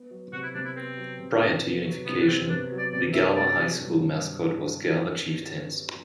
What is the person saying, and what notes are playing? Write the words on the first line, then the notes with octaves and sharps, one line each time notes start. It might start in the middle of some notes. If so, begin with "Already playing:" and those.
Prior to unification, the Galva High School mascot was Galva Chieftains.
Already playing: B3
F#3
C3 F#4
E4
C3 D4
E4
B3 C4
F#3
C3
C3
B3
F#3
C3 B3
D4
C3 C4
B3 D4
F#3
D5
C3 D5
C3 E5
A3 D5
F#3
G2